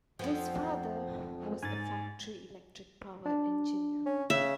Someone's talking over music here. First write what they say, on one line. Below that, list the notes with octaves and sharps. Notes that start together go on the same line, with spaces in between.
His father was a factory electric power engineer.
F2 F3 B3 G5
G#2 G#5 A6
D4
C#4
C#3 E5